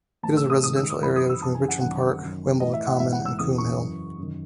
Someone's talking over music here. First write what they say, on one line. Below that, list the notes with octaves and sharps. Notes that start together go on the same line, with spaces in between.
It is a residential area between Richmond Park, Wimbledon Common and Coombe Hill.
A2 E3 A5
E6
D#6
G#2 D#3 D#6
E6
D#6
F#2 E3 B5
D#6
E6
F#2 C#3 E3 A5
G#5
F#5
F#2 D#3 F#5
F#2 D#3
A2 E3 D#5
E5
F#5
G#2 E3 E5
F#5
E6
E2 C#3 E3 D#6
C#6
F#2 E3
F#2 D#3